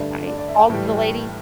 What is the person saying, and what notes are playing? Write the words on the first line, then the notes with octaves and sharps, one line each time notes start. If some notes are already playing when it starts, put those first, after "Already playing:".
I called the lady
Already playing: G2 D3 A3 D5
D5
D5
E5
A5
G5
A2 E3 G3